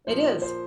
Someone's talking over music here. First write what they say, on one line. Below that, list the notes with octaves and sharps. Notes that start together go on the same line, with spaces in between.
It is.
A#2 F3 A#3 C5
C5